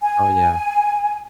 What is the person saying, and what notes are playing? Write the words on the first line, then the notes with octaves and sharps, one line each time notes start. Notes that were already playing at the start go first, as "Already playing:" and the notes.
Oh, yeah.
G#5